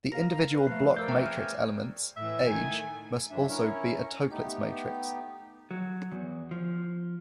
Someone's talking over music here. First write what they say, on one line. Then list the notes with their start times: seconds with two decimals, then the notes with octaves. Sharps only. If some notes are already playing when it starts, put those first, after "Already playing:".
The individual block matrix elements, Aij, must also be a Toeplitz matrix.
0.12 A#4 F5 A#5 A#6
0.54 B4
0.67 F3 A3 F5
0.96 A#4 C5 D5 E6 G6
1.08 C4 A4 E5 G5 A#5 C#6
1.26 G#4 C5 C#5 F6
2.16 A2 E3 E5
2.46 D#3 A3 G#5
3.30 G2 D3 F#3 D4 E5
3.49 C#4 E4 A#4 C#5
4.30 A3 B3 D#4 G4
5.71 F#3
6.11 E2
6.51 F3